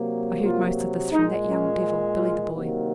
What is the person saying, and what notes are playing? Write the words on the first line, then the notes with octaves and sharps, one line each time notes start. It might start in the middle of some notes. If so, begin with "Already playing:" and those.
'I heard most of this from that young devil, Billy the Boy.
Already playing: C3 F#3 A#3
F4
A#2 G#3 D#4
C#4
F4
C3 D#3 F#3 A#3